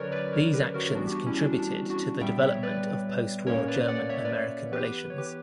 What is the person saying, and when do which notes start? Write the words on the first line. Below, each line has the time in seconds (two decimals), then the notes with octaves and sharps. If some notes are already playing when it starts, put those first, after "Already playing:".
These actions contributed to the development of post war German-American relations.
Already playing: D3 F#3 C#4 A#4 B4 C#5 D5
0.12 B4 D5
0.33 A#4 C#5
0.54 G4 B4
0.74 F#4 A#4
0.95 E3 G3 B3 D4 F#4
1.07 G4
1.11 D4 F#4
1.26 C#4 E4
1.42 D4
1.59 D4
1.74 D4
1.89 D4 F#4
2.21 A#2 G3 B3 E5 G5
2.42 C#5 E5
2.63 B4 D5
3.46 A#2 A#3 C#4 A#4 C#5
3.68 B4 D5
3.88 D5 F#5
4.09 C#5 E5
4.25 B4 D5
4.72 E3 B3 G4 B4
5.04 B4
5.10 C#5
5.18 G4 B4